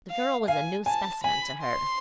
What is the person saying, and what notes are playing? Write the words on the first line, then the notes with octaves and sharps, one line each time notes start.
The girl was a new specimen to her.
F5
F5 G#5
G#5 A5
G#5 B5
C6